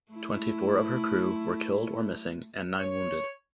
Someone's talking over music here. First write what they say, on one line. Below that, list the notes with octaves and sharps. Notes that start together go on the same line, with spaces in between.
Twenty-four of her crew were killed or missing and nine wounded.
A3 E4
C#5